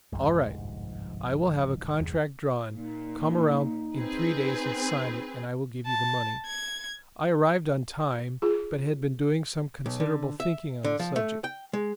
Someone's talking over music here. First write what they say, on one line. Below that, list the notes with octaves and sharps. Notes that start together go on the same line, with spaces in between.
'All right, I will have a contract drawn; come around in three days and sign it, and I will give you the money.' I arrived on time, but had been doing some considerable thinking on the subject.
G1 C2 F2 G#2 F3
E2
A#2 D#4
C4 G#4 B4
A5
G#6
F4 G#4
B1
D3
E5
D3
F3
A3
G5
G#3